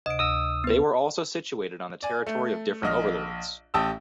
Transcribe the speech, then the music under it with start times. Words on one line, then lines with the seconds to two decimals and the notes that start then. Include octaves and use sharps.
They were also situated on the territory of different overlords.
0.06 D2 C3 D#5 D#6 D7
0.19 D2 D#6 E6 A#6
0.64 B3 B4
2.03 D5 G#5
2.27 A3
2.83 A#1 D#5 F6
3.74 A1 G4 A5 D#6 E6